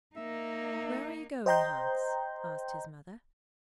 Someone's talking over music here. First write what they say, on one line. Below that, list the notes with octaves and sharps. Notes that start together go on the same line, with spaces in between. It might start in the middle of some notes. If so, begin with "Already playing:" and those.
'Where are you going, Hans?' asked his Mother.
A#3 D#4 E5
C5 D#5 G5 A#5 C6 G6